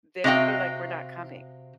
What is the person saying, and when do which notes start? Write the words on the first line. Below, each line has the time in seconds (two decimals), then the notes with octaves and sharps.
they would be like, "We're not coming.
0.24 C3 F#4 D#5 F5 G5